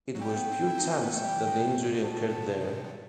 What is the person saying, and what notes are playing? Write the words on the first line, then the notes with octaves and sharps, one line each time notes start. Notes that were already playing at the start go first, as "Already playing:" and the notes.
It was pure chance that the injury occurred there.
F#3
G3 G5
A3
B3
C4
E4
C4
D#4
C4
D#4
B3
A3 G5
G3
E3
D#3
B2
A2
A2
B2
A5
A2
B2
C3
D#3
C3
B2